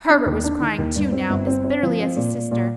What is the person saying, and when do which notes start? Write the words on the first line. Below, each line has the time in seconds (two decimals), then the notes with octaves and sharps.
Herbert was crying, too, now, as bitterly as his sister.
0.09 D4
0.26 D#2
0.44 D4
0.60 D#3
0.78 D#2
0.96 G2
1.12 C4
1.30 G1
1.47 C4
1.65 C4
1.83 F3
2.00 C4
2.17 A#2
2.34 A#2
2.51 A#2